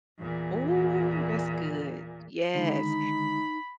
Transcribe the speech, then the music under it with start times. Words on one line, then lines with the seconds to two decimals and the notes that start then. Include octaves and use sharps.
Ooh, that's good, yes.
0.19 E2 A#2
2.55 D3 D#3 G#3 D#4 B5